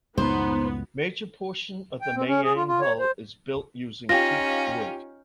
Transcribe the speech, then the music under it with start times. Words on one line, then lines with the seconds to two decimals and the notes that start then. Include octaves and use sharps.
Major portion of the mayang hull is built using teak wood.
0.17 C#2 F#2 A2 B3 D#4 C5
2.02 G5
2.15 C4
2.27 C#4
2.43 G#4
2.56 F4
2.67 F4
2.81 C#5
2.99 C5
4.09 C#4 D#4 F4 G4 A#6